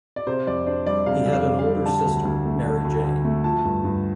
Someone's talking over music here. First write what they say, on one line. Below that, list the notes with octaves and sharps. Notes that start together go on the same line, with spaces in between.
He had an older sister, Mary Jane.
D5
C3 C5
F2 D5
D4 C5
G3 D5
C3 F5
F2
F5
D4
F5
G3
D3 A5
D2
D2
A3
D3
D2
D2
A3
F3 A5
G2
G2